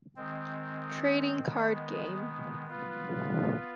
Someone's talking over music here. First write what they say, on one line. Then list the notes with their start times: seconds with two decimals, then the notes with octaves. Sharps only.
Trading Card Game.
0.16 D#3 G#3 C4
1.42 D#3 G#3 B3
2.67 B3 F4 B4